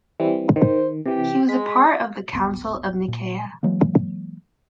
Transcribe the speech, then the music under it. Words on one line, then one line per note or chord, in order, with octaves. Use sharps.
He was a part of the Council of Nicaea.
E3 G3 C4
D#3 C5
C3 E3 G4
G#3 B6
D1 G#1 B3
A#2
E3 F#3 G#3 A#3